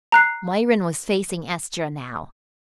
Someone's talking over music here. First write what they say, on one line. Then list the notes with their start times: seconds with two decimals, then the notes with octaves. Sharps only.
Myrin was facing Estra now.
0.12 A#5 F#6 C7